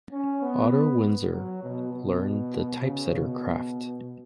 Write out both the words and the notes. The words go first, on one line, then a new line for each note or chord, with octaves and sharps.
Otto Winzer learned the typesetter craft.
C#4
B3
F#3
B2
B2
C#3
B2